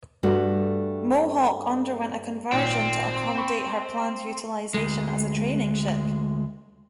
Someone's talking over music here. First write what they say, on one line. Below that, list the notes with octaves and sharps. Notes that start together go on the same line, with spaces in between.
"Mohawk" underwent a conversion to accommodate her planned utilisation as a training ship.
G2 G3 A3 F#4
G#1 A#2 C4
G5 B5 C#6
D2 G#3